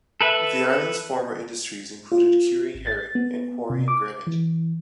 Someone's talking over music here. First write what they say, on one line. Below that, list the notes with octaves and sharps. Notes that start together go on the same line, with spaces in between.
The island's former industries included curing herring and quarrying granite.
A4 B4 E5
F4
G#1
A6
B3
C3
D6
E3